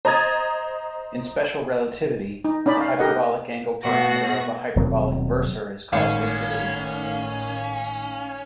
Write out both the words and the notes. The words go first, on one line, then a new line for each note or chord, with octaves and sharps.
In special relativity, the hyperbolic angle parameter of a hyperbolic versor is called rapidity.
C5 D#5 A#5 D#6 G#6 A6
D#4
C#4 D#4 D5 B5
F5
G4 A#4 D#5 F#5
B2 F#4 A#6
D#1 B2 F#3 C4
G#1 A2 D#3 C#4 F5